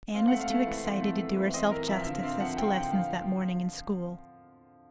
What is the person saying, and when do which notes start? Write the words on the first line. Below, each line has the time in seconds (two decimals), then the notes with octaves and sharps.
Anne was too excited to do herself justice as to lessons that morning in school.
0.14 C4 F5
0.28 A3 F#5
0.40 F5
0.50 A3
0.67 E3
0.84 C4
1.02 A3
1.18 A3
1.37 E3
1.54 C4 D#5
1.71 C4 A#4
1.88 F3 E5
2.05 D3 F5
2.23 C4 F5
2.40 F3 F#5
2.57 C4 G5
2.75 D3 G5
2.91 F3 F5